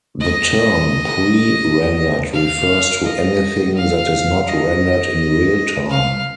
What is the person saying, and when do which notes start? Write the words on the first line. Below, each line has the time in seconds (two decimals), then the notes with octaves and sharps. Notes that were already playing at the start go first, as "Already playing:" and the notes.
The term pre-rendered refers to anything that is not rendered in real-time.
0.20 D#5
2.33 F5
3.05 D#5
3.76 F5
4.47 D#5
5.90 F5